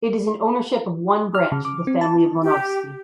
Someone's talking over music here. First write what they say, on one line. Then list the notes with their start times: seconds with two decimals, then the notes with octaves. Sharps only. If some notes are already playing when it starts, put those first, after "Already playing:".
It is in ownership of one branch of the family of Lonovski.
1.35 F6
1.52 C#3
1.65 D6
1.87 C4
2.01 A5
2.44 G4